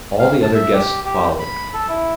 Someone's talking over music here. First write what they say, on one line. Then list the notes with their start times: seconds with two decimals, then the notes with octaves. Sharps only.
All the other guests followed.
0.19 F5
0.43 A5
0.54 E5
0.74 G4
1.05 G4
1.40 B5
1.73 A4
1.89 E4